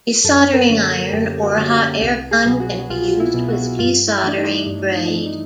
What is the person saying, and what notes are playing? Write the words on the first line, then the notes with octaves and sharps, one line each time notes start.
A soldering iron or hot air gun can be used with desoldering braid.
F#2 A4
A#4
D3 F#3 A#3 C#4
A4
F#2 G4
F#4
D3 F#3 A#3 C#4
F#4
C2 G4
G#4
B2 F#3 B3
F#4
C2 F4
E4
B2 F#3 B3
F#4
G2 F4
E4
E3 A3 D4
D#4
G2
D#4
E3 A3
D#4